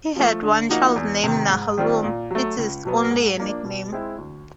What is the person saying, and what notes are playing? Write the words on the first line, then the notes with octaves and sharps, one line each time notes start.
He had one child named "Nahalum", it is only a nickname.
F3 A3
D3
F3 A#3 D#4 F#4
E2
C3 D#3
G#2
D#3 G3 C4 F4
A#2
F#3 A3
C#2
B2 F#3 B3
G#2
F3 A#3 D4
B2
G#3 C4 E4
D2